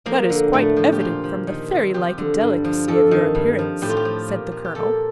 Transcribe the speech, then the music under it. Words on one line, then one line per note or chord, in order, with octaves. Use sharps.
"That is quite evident from the fairy-like delicacy of your appearance," said the colonel.
F3 A#3
D3
A2 A3
F3
G4
A#2 F4
F3
D#3
C3
F3 G4
D3
G2
F3
F2 A4
D#3
G2
F3
A2 G4
F4
G4
F3
A#2
F3
G4
A#2 A4